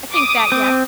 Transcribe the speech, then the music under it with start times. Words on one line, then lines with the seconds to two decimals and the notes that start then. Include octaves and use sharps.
I think that yes.
0.12 D6 D#6
0.52 C4